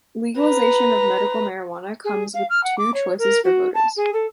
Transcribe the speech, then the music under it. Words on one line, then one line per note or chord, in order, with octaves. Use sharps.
Legalization of medical marijuana comes with two choices for voters.
B4 A#5
G#4
F5
F6
F#5
D6
C#5
A#4
F#4
A5
G#4
A4